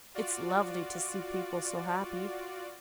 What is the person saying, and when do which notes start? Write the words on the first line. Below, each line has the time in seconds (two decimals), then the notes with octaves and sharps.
It's lovely to see people so happy.
0.14 F4 F#4 D5